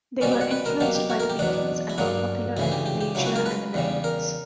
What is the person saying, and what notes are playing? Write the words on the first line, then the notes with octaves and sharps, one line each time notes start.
They were influenced by The Beatles, and were popular in Malaysia and the Netherlands.
B2 G3 C#4 D5
E5
F#5
B4
A#4
B2 F#3 A#3 G4
G4
F#4
A#4
G4
E2 B2 F#3 D4
E4
G2 F#3 A#3 D4
D2 C#3 E3 E4
G4
G4
G4
C#2 C#3 F#3 E4
F#4
A#4
B4
E2 C#3 G3
A#4